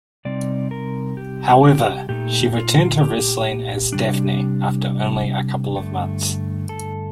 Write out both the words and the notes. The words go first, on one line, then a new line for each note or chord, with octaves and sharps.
However, she returned to wrestling as Daffney after only a couple of months.
C3 G3 C4 D#4 D5
A#4
G4
G4
A#2 A3 D#4 G4
F4
G4
C3 G3 D4
G2 D3 A3
A4